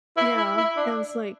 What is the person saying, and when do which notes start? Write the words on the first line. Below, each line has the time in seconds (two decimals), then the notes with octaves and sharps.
Yeah, and it's, like
0.17 E4
0.37 E4
0.57 E4
0.77 D4